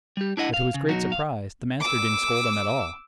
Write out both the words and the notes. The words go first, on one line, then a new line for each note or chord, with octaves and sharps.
But to his great surprise the master didn't scold at all.
G3 G4
D4 E4 D#5 F#5
F5
C#3
B2 F#3 D#4 F#4
F5
D6 E6